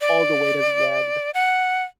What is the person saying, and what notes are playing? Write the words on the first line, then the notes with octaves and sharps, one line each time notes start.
all the way to the end,
D5
F#5